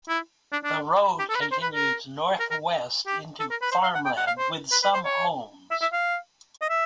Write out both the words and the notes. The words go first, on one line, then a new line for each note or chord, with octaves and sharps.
The road continues northwest into farmland with some homes.
E4
D4
D4
G4
A4
B4
A#4
C5
B4
A#4
A#4
A#4
G4
A4
A#4
B4
C5
F5
F#5
G5
F#5
F5
C5
B4
B4
C5
C#5
E5
E5
F5
D#5
E5